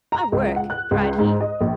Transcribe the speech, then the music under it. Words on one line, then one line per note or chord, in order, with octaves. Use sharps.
"I work!" cried he.
A#5
C#2
F#5
F#6
C#2
G#2
D#5
A#1